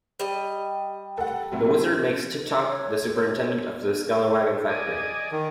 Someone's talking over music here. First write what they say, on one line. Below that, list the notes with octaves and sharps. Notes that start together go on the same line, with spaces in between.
The Wizard makes Tik-Tok the superintendent of the scalawagon factory.
G3 D#5
A4 F#5
A2 C3 F#3
C#5
D5 D#5 G#5
D#3